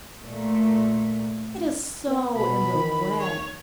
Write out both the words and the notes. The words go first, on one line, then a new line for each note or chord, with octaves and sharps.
It is so in the way!
A#2 A3
B3
B2 B5
D#3
C#5